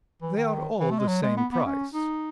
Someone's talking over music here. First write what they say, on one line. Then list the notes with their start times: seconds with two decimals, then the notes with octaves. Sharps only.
"They are all the same price."
0.22 E3
0.36 D#3
0.79 E3
0.91 A3
0.99 G#3
1.08 F#3
1.23 G#3
1.37 B3
1.52 B3
1.66 C#4
1.94 D#4